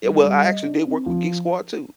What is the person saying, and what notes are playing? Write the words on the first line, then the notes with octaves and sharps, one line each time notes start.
Eh, well, I actually did work with Geek Squad, too.
G3
G3
D#5
D4
C4
F3